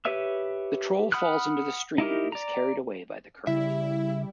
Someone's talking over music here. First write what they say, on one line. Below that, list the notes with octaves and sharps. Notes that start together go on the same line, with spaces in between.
The troll falls into the stream and is carried away by the current.
G4 B4 C#5 E5 E6
F#5 B5 D#6 F6 F#6
D#4 E4 G4 A#4
D5 A#5
C#3 G3 E4 E5